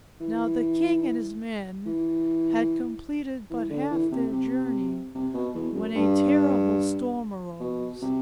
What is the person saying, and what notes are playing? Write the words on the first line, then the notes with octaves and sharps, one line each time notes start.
Now the king and his men had completed but half their journey when a terrible storm arose.
E3
E3
E3
D3
E3
C3
C3
C3
B2
E2
F#2
G2
B2
C3